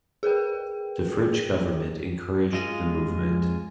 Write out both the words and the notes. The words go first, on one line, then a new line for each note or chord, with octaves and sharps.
The French government encouraged the movement.
G#4 A#4 B4 G5
G#3 F4 D#5
F2